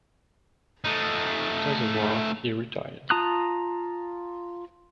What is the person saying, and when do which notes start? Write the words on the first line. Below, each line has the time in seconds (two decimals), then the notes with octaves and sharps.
After the war he retired.
0.85 A3 D#4
3.10 F4 A5 A#5 D#6 F#6